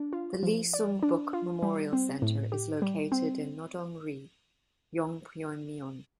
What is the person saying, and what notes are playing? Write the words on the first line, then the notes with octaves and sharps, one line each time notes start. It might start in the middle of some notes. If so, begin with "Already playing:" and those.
The Lee Seung-bok Memorial Center is located in Nodong-ri, Yongpyeong-myeon.
Already playing: D4
F4
F3
D5
D4
F4
G3
C4
A2
G4
G3
C4